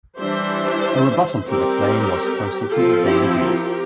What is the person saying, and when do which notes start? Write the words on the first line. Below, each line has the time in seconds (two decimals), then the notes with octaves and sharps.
A rebuttal to the claim was posted to The Daily Beast.
0.18 E3 G3 D4 C5 E5
1.47 G3 C4 G4 A#4
2.76 F3 C4 F4 A4
3.07 E4 G4
3.40 G4 A#4